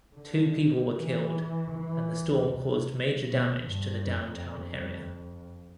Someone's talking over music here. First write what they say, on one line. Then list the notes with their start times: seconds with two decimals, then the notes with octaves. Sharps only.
Two people were killed, and the storm caused major damage to the downtown area.
0.16 D3
0.94 E3
1.71 E3
2.49 C3
3.27 B2
3.66 G2
4.04 F2